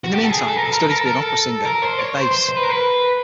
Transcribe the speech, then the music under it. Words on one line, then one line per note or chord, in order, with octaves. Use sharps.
In the meantime he studied to be an opera singer, a bass.
F#4
G4
A4
G#4
A4
A#4
A4
A#4
A4
A#4
A4
A#4
A4
A#4
C5
C#5
C5
C5
C5
B4
A#4
B4